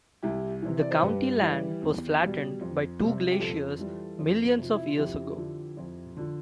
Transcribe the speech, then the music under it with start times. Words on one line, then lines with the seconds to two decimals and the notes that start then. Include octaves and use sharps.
The county land was flattened by two glaciers millions of years ago.
0.23 C2 E4 G4
0.62 C3 E3
0.80 D5
0.91 C5
1.02 G2 G4 B4
1.41 E3 G3
1.82 E2
2.21 B2 G3
2.61 F2
3.00 C3 G3
3.31 G4
3.40 F2 F4 A4
3.79 E3 G3
4.19 F2
4.59 C3 F3
4.75 E4
4.87 F4
4.98 F2 E4 G4
5.37 D3 F3
5.77 F2
6.16 D3 F3